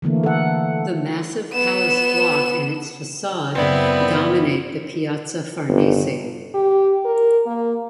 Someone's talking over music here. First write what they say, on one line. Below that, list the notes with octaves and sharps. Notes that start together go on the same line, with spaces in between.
The massive palace block and its facade dominate the Piazza Farnese.
D3 E3 A3 A#3
A4 F#5
B3 E7
F#2 C#3 B3 C4 E4 D5
G1
G4
A#4
A#3